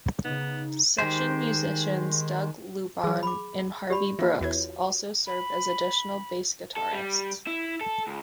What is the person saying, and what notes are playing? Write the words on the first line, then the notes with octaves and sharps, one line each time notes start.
Session musicians Doug Lubahn and Harvey Brooks also served as additional bass guitarists.
C#3 B3 D#4
D#3 G#3 G4 C5
E3 F#3 G#4
B5 D6
G4 D5 B5
E3 A#3 F4
E2 E3 F#4 C#5 G#6
B5
A4
G3
E4
A4
C#2